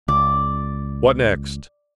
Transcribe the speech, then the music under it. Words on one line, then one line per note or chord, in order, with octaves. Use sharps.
"What next?"
C#2 D5